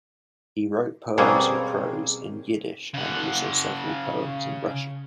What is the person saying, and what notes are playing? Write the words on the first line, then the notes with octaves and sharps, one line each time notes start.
He wrote poems and prose in Yiddish and also several poems in Russian.
B2 G3 A#3 C4 C#4 G#4
C#3 F#5